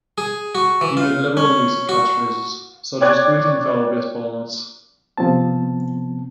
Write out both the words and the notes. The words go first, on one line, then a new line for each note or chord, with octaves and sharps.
He made liberal use of catchphrases, such as Greetings fellow baseball nuts!
G#4
F#4
E3
F4
C#4
F#4
C#5 D5 G5 D6 F#6 G#6
C3 F3 B3 C4 A5